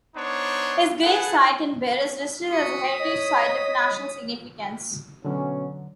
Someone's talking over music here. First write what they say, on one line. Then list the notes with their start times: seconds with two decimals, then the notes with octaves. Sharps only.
His gravesite in Birr is listed as a heritage site of national significance.
0.15 B3 D4 D#4 C5 C#5
1.03 G#4 A4 B4 F#5 A5
2.52 F#4 D#6 B6 C#7
2.99 C#5 D#5
5.25 B2 D3 F#3 C#4